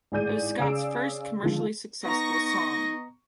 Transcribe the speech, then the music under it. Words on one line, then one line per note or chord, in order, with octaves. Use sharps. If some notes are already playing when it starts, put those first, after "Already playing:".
It was Scott's first commercially successful song.
G#1 A2 G#4 D5 G6 D#7
C#3 C#4 G#4 D5 E6 D7
D3 D#3 F3 G#3
B3 D#4 D#5 A#5 C#6 A#6